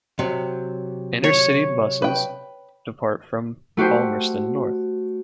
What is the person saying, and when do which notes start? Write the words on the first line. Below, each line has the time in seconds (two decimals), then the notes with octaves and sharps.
Inter-City buses depart from Palmerston North.
0.19 C3 F#3
1.24 C#5
2.02 B4 G5
3.77 A3 F#4 G4 C5